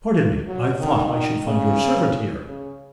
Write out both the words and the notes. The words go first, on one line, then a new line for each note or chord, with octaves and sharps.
"Pardon me; I thought I should find your servant here."
F#3
D#3
D#3
C#3
C#3